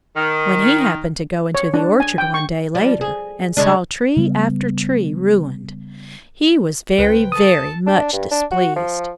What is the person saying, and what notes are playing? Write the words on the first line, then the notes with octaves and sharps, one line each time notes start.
When he happened to go into the orchard one day, later, and saw tree after tree ruined, he was very, very much displeased.
D#3
C#5
D4
G#5
G5
C#6
F3 G3
G#4
C#3 G#3 D4
C#3 G3 A#3 B3
C#2 B4 C5 G5
A4 A5 D#6
D4
G2
D4
F#4
F3